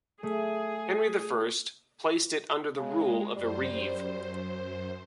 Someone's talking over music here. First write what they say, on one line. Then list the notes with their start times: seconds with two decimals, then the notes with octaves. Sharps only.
Henry the First placed it under the rule of a reeve.
0.23 A3 G#4
2.77 C#3 G#3
3.36 F#2 G3 C5